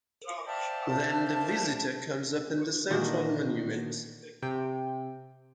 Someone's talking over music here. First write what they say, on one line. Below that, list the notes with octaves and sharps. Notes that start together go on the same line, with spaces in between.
Then the visitor comes upon the central monument.
C5 D5 E5 F5 G5 A5
A#2 D#3 E3 D4 F#4 A#6
C3 G5